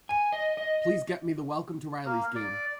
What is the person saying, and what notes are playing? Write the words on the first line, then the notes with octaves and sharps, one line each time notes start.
Please get me the Welcome to the Rileys game.
G#5
D#5
D#5
A#3
D5